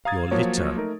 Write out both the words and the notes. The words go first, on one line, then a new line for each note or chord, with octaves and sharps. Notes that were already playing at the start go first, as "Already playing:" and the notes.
Your litter.
F5 A#5 D#6 G#6 A6
F3 F#3 A#3 C#5
A3 D#4 A#4